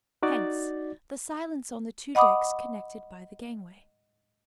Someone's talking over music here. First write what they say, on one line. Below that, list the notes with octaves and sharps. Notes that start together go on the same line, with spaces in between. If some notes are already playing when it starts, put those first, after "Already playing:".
Hence the silence on the two decks connected by the gangway.
D#4 F#4 D5 A6
D#5 F#5 B5 D6 D#6